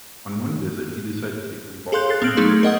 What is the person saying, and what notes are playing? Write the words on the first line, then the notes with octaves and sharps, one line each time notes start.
On one visit he decided to take the revolver home with him.
G#4 A4 F5 C6 F#6 G6
F#6 A6 C7
B3 C4 F6 D7 F#7
F#3 A3 B3 D#4 G#4 C6
G#6
A#4 D#5 F#5 D#6